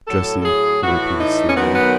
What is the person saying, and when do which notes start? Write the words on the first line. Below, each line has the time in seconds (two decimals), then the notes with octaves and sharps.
"JESSIE," he repeated slowly.
0.07 A2 F#3 A4
0.39 A4
0.44 G#4
0.81 A2 E3 F#4
1.18 D#4
1.48 C#4
1.54 F#2 D#3 F#3 B3
1.73 B3